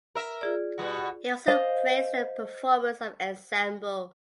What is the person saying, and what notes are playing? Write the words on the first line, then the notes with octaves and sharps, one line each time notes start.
He also praised the performance of ensemble.
A#4 E5
F4 G#4 D5
B2 G3 F#4
C5 D#5 F5